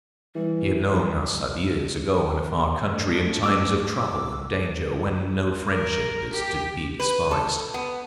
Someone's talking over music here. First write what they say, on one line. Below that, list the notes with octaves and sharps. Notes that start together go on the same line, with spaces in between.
He had known Arsat years ago, in a far country in times of trouble and danger, when no friendship is to be despised.
E3 G3
E4
C#5
G#2 A3 D4
D6 E6
A#4
G4
B4
A4
B3